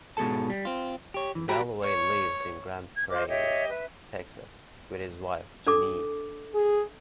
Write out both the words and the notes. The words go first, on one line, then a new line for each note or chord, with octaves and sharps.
Galloway lives in Grand Prairie, Texas, with his wife Janeen.
G#2 B2 A3 G#4 A4 A5
G3
C4 F4
G4 C#5
E3
F#4 G4 G5 A#5 B5
C#5
G#6
F4 C5 D#5 D6
G4 C#5 D#5 E5
B4 E5
D4 A4 D6
G#4